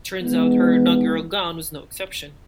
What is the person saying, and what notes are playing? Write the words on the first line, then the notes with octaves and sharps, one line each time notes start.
Turns out her inaugural gown was no exception.
E3 G#3 B3 D#4